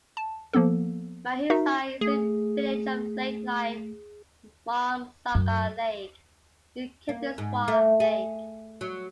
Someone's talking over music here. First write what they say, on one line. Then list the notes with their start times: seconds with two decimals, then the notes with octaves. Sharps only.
Mahisa is a village of lake like Marmsagar Lake, Utkantheswar Lake.
0.17 A5
0.53 F3 A#3 B3 A4
1.50 D#4 F#4 A#4 E5
2.01 A3 G#4
5.35 F#2
7.09 A#3
7.38 G#2
7.68 A3
8.00 G#4
8.81 F#3